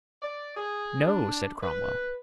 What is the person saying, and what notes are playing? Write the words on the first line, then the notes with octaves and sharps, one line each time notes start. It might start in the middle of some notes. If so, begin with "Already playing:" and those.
"No," said Cromwell.
D5
G#4
D4
B4